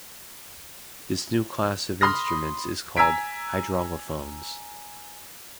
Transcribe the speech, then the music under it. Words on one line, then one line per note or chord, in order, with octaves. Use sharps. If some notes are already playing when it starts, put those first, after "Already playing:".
This new class of instruments is called hydraulophones.
B5 C6 D#6 F6 A#6
G#5 A#5 E6 G#6 B6 D7